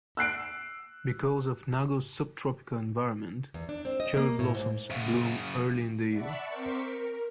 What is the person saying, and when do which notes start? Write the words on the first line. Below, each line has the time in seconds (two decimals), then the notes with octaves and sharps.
Because of Nago's sub tropical environment, cherry blossoms bloom early in the year.
0.17 E6 F#6 C7 D7
3.54 E2
3.69 D4
3.85 C4
4.00 D#5
4.17 A#3
4.39 A2
4.55 G#2
4.90 F#2 C#3
6.09 D5 E5 F#5 A5 B5 C#6
6.48 C4 A#4 C5 C#6 D6 B6
6.82 A#4